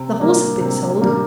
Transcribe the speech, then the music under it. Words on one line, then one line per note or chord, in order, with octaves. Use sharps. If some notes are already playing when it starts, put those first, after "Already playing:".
The horse has been sold.
Already playing: C3
G3 A#3 D4
C3
G3 A#3 D4